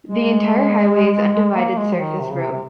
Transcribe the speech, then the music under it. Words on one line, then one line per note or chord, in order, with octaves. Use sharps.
The entire highway is undivided surface road.
G#3
A#3
G#3
F3
D#3
C3
C#3
C3
C3